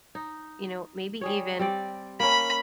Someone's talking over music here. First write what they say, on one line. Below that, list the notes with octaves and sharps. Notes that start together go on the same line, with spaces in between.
you know, maybe even
D#4
G3 G#4 C#5
G3 C4 D5
A#3 C#4 B5